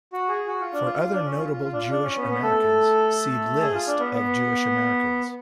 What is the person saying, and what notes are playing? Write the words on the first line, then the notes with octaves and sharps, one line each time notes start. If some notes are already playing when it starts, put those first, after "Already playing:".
For other notable Jewish Americans, see List of Jewish Americans.
F#4
G#4
F#4
F4
D4
F4
F4
D4
C#4
F4
F4
F4
D4
F4
D4
C#4
B3
C#4
B3
A3 A4
G#4
F4
D4
B3
B3